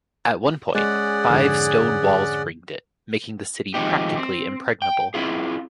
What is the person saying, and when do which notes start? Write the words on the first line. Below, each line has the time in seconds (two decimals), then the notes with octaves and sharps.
At one point, five stone walls ringed it, making the city practically impregnable.
0.75 G#3 C#4 G#4 D5 F#5
1.30 F2 G#2 D3
3.74 D#3 F3 G#3 C4 D#4 G4
4.17 C4
4.82 G5
5.14 C4 E4 F4 G#4